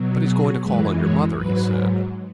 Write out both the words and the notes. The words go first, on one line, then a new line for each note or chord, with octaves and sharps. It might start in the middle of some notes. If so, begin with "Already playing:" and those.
"But he's going to call on your mother," he said.
Already playing: B2 F#3
G#4
F#2 E3 G#3 B4
C#5
G#2 F#3 B4